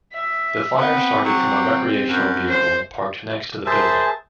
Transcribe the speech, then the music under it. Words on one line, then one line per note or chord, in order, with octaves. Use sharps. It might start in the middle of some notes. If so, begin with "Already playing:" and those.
The fire started from a recreational vehicle parked next to the building.
E5
B3 C4
F#3
F#2
C5
G#4 A#4 C5 E5 A5